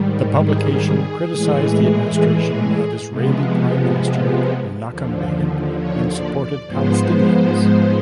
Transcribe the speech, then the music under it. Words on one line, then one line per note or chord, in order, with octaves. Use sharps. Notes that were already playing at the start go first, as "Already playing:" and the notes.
The publication criticized the administration of Israeli Prime Minister Menachem Begin and supported Palestinians.
Already playing: G#2 D#3 G3
G#4
A2 E3 G#3
C3 F3 G#3 B3
D#2 D3 F3
C#5
D5
D5
G#2 F3 G#3 B3 C5